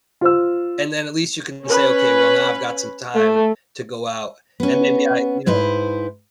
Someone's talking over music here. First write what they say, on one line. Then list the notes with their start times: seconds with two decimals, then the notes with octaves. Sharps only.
And then at least you can say, "Okay, well, now I've got some time to go out, and maybe I, you know"
0.21 F4 C5 E6
1.64 C#4 B4
3.14 A3
4.60 B3 C#4
5.46 G#2 E4 B4 C5